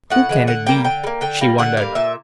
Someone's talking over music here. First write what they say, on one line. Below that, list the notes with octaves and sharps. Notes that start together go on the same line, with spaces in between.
"Who can it be?" she wondered.
A2 F#5
E3 G#3
D3 F#5
G3 A#3 G5
D3 G5
G3
A#3
D3 G5
G3 A#3
D3 F#5
G3 A#3 F5
A#2 E5